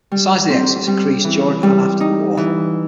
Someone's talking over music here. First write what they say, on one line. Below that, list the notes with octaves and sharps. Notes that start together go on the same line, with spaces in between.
The size of the exodus increased during and after the war.
G3
C4
G3
E3
G3
D#4
E3